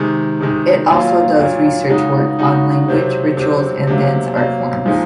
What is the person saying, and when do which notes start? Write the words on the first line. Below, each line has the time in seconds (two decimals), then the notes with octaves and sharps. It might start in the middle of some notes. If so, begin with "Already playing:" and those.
It also does research work on language, rituals, and dance art forms.
Already playing: C3 D#3 G#3
0.41 C3 D#3 G#3
0.90 A#2 F#3 A#3 F4
1.39 A#2 F#3 A#3 F4
1.89 C#3 G#3 D#4 F#4
2.39 C#3 G#3 D#4 F#4
2.88 C3 F#3 C4
3.37 C3 F#3 C4
3.87 C3 F#3 A#3
4.37 C3 F#3 A#3
4.86 A#2 F3 G#3 D#4